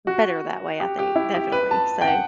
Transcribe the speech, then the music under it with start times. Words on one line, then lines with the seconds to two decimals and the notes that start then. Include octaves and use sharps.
better that way, I think, definitely, so,
0.07 F#4
0.80 G4
0.99 G4
1.16 E4
1.35 G4
1.52 B4
1.71 A5
2.01 G5
2.08 F#5